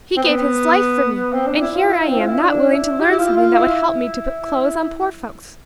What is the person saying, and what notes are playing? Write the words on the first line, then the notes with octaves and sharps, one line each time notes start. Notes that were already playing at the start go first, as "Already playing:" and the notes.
He gave His life for me, and here I am not willing to learn something that would help me to put clothes on poor folks!
C4
B3
C4
D4
E4
F4
E4
C4
F4
E4
D4
E4
G4
E4
F4
F4
E4